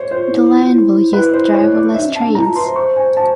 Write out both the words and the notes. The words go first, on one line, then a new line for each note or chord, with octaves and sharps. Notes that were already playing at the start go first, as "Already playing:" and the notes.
The line will use driverless trains.
Already playing: C5 C#5
F4 C5
E4
F4
E4
E4 B4
C5
C#5
D5
D#4 E5
C#4
C#4 A5
D4
E4 A#5
F4
B4 C6
C5
C#6
G#5
A5